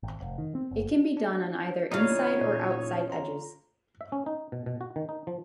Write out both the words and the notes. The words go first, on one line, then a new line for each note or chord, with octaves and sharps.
It can be done on either inside or outside edges.
G#1
F1
D#3
C4
F#1
D4
E2 C#3 D#4 F4 C#5 F5
A#2
F4 A#5
E5
C#4
D#4
B2
B2
F#4
D#3
D#4
F3